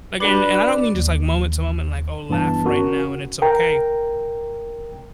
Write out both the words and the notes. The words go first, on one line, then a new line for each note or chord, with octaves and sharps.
again, and I don't mean just like moment to moment, like, oh, laugh right now and it's okay.
D4 F#4 B4 D5 A5
D#2
G2 E3 B3 A5
C#4 F#4 A#4
A#4 G5 A#5